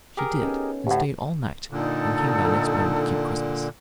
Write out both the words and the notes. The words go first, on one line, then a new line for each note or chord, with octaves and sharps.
She did, and stayed all night, and came down next morning to keep Christmas.
G4 G#4 A#4
B3 C#4 D#4 A4
D2 A2 G4 F5 F#5
A#2 D3 D#4 A4